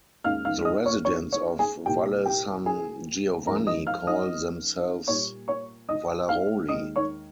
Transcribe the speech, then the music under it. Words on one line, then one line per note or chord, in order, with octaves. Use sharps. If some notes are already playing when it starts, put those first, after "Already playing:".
The residents of Valle San Giovanni call themselves "Vallaroli".
D#2 C#3 G#3 F5 F6
F5 F6
D#5 D#6
C#5 C#6
C#5 C#6
C#5 C#6
G#4 G#5
C2 A#2 G3 A#3 G4 G5
G4 G5
G#4 G#5
D#2 C#3 F3 G#3 A#4 A#5
D#5 D#6
F5 F6
D#5 D#6
A#2 G3 A#3 C#5 C#6
C#5 C#6
D#5 D#6
F5 F6
D#2 D#3 G#3 D#5 D#6
C#5 C#6